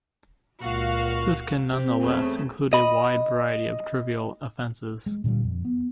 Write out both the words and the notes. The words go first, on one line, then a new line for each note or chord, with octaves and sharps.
This can nonetheless include a wide variety of trivial offences.
C#2 A#2 F#4 F5
C4 G4
E2 C#3 A3
D#5 B5
G#3
A#2 D3 E3 G3
F2
B3